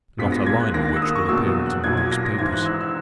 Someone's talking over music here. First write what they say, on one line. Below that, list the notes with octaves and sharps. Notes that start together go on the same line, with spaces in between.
"Not a line of which will appear in to-morrow's papers."
A#1 A#2 G#3 B3 B6
A#6
G#6
F#6
D#2 D#3 A#3 A#6
F#6
E6
D#6
C#6
E2 B2 F#3 A#3 E6
D#6
F#6
B1 A#2 F#3 G#6
G#6
A#6
A#6
G#1 G#2 E3 G#6
F#6
E6
E6